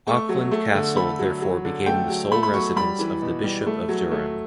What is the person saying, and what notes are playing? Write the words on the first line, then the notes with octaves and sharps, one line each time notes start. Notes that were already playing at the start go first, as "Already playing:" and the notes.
Auckland Castle therefore became the sole residence of the Bishop of Durham.
A3 C#6
F#3
A3
D3
A3 B5
F#3
F#3
D3
A3 G5
F#3
A3 B5
B5
F#3 C#6
G3 B5
E3
B2
G3
A3
F#3
A3